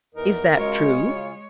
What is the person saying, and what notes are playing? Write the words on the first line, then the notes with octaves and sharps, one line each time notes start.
Is that true?
E2 E3 D#4 A#4
C#3 G#3 F4 F#4 C#5 D#5